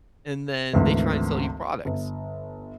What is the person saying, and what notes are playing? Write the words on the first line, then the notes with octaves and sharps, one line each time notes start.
and then they try and sell you products.
G#1 D2 E3
G1